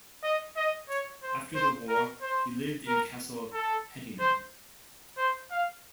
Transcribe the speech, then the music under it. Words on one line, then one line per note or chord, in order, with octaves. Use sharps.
After the war he lived in Castle Hedingham.
D#5
D#5
C#5
C5
C5
A#4
C5
A#4
A4
C5
C5
F5